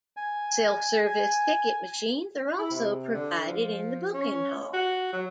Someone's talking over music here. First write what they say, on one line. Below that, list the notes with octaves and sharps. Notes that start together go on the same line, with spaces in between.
Self-service ticket machines are also provided in the booking hall.
G#5
G#5
E4
C3
D3
F3
C#4
F#4
F#3